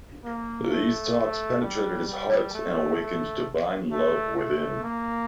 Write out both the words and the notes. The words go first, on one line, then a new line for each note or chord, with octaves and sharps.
These talks penetrated his heart and awakened divine love within.
A#3
A3
G3
G3
A3
A3
A3
A3
A#3